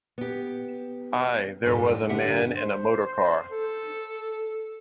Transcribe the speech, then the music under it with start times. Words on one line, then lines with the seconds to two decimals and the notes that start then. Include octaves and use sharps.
Ay, there was a man in a motor-car.
0.18 B3 G4
1.65 F2 G#2 G3 G#3 D#4 A4
2.09 G2 D3 D4 G4 E5 F#5
2.57 C5
3.51 A4